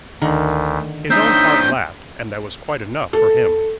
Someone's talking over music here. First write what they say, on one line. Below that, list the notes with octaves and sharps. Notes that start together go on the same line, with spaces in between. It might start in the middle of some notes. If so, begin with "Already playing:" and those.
His own heart laughed, and that was quite enough for him.
D2 D3 D#3 A#4
C4 D4 D#4 E5 G6
A4